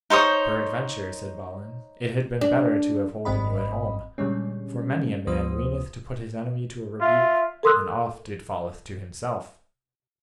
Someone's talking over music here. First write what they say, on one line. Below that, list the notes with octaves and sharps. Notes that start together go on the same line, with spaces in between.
Peradventure, said Balin, it had been better to have holden you at home, for many a man weeneth to put his enemy to a rebuke, and oft it falleth to himself.
D#4 C5 C#5 D#6
D4
G#1 G#2 C4 D#5 B5
A#2 D3 G3 G#3 C#4
D2 F3 B3 C5 D#6
F4 E5
A4 A#4 C6 D#6 E6 F#6